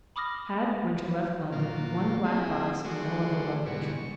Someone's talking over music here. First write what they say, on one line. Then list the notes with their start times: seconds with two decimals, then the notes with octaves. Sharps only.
Had, when she left London, one black box, and no other luggage.
0.16 B5 D6 D#6 F6 A#6
1.52 A#2 F#3 A#3 F4
2.24 C4 E4 G#4
2.85 F#3 A3 F#4 G#4 C5 D5
3.66 G#2 B2 D3 E3 G3 C#6
3.96 C#6